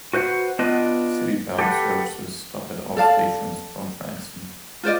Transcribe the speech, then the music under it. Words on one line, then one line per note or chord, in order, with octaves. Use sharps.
Citybound services stop at all stations from Frankston.
F#4 B4 C5 E5 F#5
B3 D4 F4 B4 D#5
G4 A4 B4 F#5
A4 D5 F5 A5
F4 C5 D5 D#5